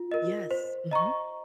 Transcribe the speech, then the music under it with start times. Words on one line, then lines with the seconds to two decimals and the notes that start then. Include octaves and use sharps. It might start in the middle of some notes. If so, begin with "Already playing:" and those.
Yes, mhm.
Already playing: F4
0.12 A#4 D#5
0.51 C5
0.91 D#5 A#5 C#6